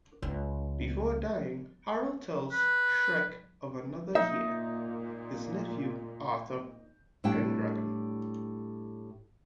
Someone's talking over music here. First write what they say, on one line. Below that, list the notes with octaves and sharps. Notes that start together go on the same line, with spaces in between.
Before dying, Harold tells Shrek of another heir: his nephew, Arthur Pendragon.
C#2
B4
A#2 D#4 E5
A2 G3 D4 E4 G5